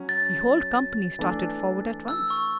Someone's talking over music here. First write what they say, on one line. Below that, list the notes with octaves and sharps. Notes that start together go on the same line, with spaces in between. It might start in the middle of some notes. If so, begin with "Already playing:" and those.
The whole company started forward at once.
Already playing: F#3 C#4
A6
E3 A3 D4
E6
C#6